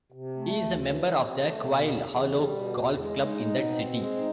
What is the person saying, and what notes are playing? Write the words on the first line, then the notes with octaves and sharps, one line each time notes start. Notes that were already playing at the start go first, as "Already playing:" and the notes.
He is a member of the Quail Hollow Golf Club in that city.
C3
A3
D2
E3
C3
A3
B2
E2
E2
G3
B2
E2
G#3
D#4
B2
C4
G#3
D#4